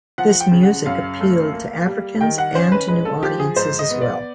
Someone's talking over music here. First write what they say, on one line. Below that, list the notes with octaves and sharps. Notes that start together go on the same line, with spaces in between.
This music appealed to Africans and to new audiences as well.
F3 F#5
G5
C#3
F#5
F#2 F5
A3
A#3
G3
D#3 G5
F#5
C#4 C5
B4
G#3 B4
A4
F3 G4
G#4
G#2 C5
D#5
B3
D5